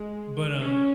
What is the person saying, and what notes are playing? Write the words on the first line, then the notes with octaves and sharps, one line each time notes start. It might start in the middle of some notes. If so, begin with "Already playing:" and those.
but, um,
Already playing: G#3
C#4